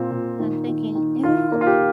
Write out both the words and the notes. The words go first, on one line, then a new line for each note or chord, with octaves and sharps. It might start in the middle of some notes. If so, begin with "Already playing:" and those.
and I'm thinking, "Ew!"
Already playing: A#2 C4
A#2
D#3
D#3
D#3
D#3 F4
A#3
F4
G4